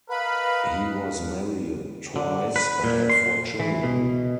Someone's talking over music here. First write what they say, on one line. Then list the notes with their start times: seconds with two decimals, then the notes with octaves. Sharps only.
He was married twice, and had four children.
0.10 A#4 B4 D#5 F5 B5
2.16 D3
2.56 B4
2.84 A#2
3.10 C6
3.60 E3
3.83 B2